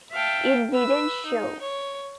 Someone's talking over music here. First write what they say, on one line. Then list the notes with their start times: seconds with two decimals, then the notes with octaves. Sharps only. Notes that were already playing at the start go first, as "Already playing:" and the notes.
It didn't show.
0.12 E5 F5 G5 A5
0.73 B4 E6
1.27 D#4
1.62 C#5